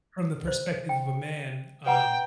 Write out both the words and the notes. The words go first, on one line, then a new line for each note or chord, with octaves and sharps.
from the perspective of a man, um
C5
G5
B4 F#5 G5 A#5